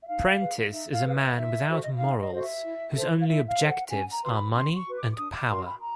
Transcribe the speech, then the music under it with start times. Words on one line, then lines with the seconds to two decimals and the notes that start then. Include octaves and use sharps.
Prentiss is a man without morals, whose only objectives are money and power.
0.03 E5
0.08 D#4 F5
0.40 G#4 B4
0.72 D#4 E5
0.93 F5
1.04 G#4 B4 F5
1.14 E5
1.36 D#4 E5
1.67 F#4 A4 C5
1.83 D#5
1.91 E5
1.99 D#4 F5
2.20 D#5
2.31 F#4 A4 C5 D#5
2.41 E5
2.63 E4
2.94 A4 C5
3.20 F5
3.26 E4 E5
3.47 F5
3.58 A4 C5
3.69 F#5
3.90 C#4 G#5
4.11 A#5
4.22 F#4 B4 C6
4.32 B5
4.53 C#4 C6
4.75 C#6
4.85 F#4 B4
4.96 D6
5.11 D6
5.17 D4 D#6
5.33 D6
5.49 F#4 A#4 C6
5.65 B5
5.80 A#5